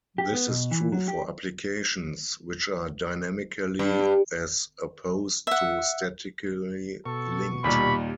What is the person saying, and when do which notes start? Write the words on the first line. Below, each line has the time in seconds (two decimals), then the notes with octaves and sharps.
This is true for applications which are dynamically as opposed to statically linked.
0.18 G4
0.33 B3
0.48 B2
0.71 E3
0.92 F#3
1.08 G4
3.79 G2
5.47 E5 F#5
7.06 B2 A4 C#6
7.64 D#2 A#2 G3 B5